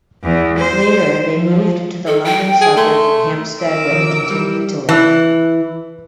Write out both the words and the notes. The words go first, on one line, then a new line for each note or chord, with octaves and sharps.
Later they moved to the London suburb of Hampstead where they continue to live.
E2
C5
F3
A4
G5
G#4
A3 C6
A#4 D6 E6
D#3 F3
G3
E3